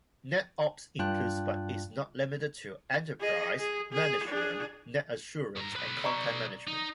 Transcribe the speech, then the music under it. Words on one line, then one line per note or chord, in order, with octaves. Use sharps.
NetOps includes, but is not limited to, enterprise management, net assurance, and content management.
G2 F4 D5 G5 A5 F#6
G#4 D#5
G#4
G#4
D4 G#4
G2 A#5
B1 B4
D5 A#5 C#6
D#4